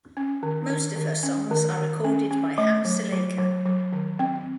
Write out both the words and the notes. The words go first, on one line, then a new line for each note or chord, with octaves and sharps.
Most of her songs are recorded by Hamsalekha.
C#4
D#3
D#3
D#3
C#4
D#3
D#3
C#4
C#4
A3
F#3
F#3
F#3
F#3
D#3
C4